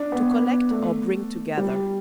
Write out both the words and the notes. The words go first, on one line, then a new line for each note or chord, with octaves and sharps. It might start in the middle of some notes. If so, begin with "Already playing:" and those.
To collect or bring together.
Already playing: D4
B3
A3
G3